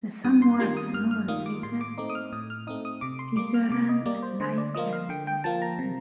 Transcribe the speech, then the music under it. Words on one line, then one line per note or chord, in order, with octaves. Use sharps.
The somewhat smaller crater Tisserand lies just to the east.
G2 D#6
C6
D#3 G3 A#3 F4 C6
D#6
G2 F6
F6
D#3 G3 A#3 F4 D#6
D6
A2 C6
D6
A3 C4 D#4 D6
D#6
F6
A2 D#6
F6
A3 C4 D#4 D#6
D#6
C3 D6
C6
G3 A#3 D6
F6
C3 D6
D#5
G3 A#3 D5
C5
D3 C5
D5
F3 A#3 F4 D#5
F5
D3 G5
G5
F3 A#3 F4 A5
A#5
C3